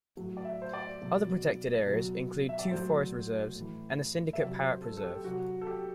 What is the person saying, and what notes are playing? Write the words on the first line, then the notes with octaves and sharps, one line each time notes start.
Other protected areas include two Forest Reserves and the Syndicate Parrot Preserve.
A2 F#3
D5
E5
C5
D5
B2 F#3
B2 F#3
E5
D5
A2 F#3 C5
A2
E3
E5
C3 F#3 D5
C5
A4
A4
G4
C3 F#3 F#4
A4
G4